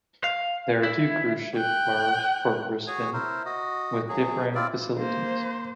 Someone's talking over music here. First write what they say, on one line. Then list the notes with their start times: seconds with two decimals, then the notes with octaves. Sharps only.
There are two cruise ship wharves for Brisbane, with differing facilities.
0.24 F5
0.83 E4
1.56 G5 F#6
2.87 F#4 G#4 C#5 G#5
3.13 E4 A#4 C5
3.45 F#4 D#5
4.09 F#3 G#4
4.55 C4 E4 F4 D5
4.97 A#3 C5